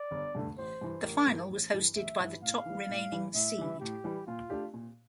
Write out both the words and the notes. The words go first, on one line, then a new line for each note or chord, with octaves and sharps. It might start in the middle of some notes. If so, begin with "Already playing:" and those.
The final was hosted by the top remaining seed.
Already playing: D5
G1
G2 D3 A3
A1 C5
G2 E3
A1 A#4
G2 E3
A1
G2 E3
A1 E5
G2 E3
A2 F5
E3 G3
A2
E3 G3
A2 E5
E3 G3
A2 G4
E3 G3
A#2 F4
A3 D4 G4
A#2